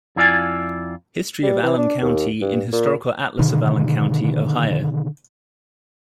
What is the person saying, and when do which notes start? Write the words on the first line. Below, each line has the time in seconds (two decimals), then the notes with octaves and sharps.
"History of Allen County in Historical Atlas of Allen County, Ohio".
0.16 F2 E4 F4 D5 F5 G#5
1.42 G3
1.63 E3
1.77 D4
2.02 D#2
2.41 G2
2.72 A#2
3.39 B2 D3 D#3